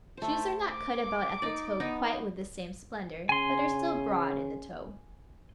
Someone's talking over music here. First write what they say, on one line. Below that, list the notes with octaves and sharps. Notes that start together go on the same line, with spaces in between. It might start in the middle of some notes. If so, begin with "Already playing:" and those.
Shoes are not cut about at the toe quite with the same splendour, but are still broad in the toe.
A3 C5
D6
D#4 D5
B3 D#4
C#3 G#5 C6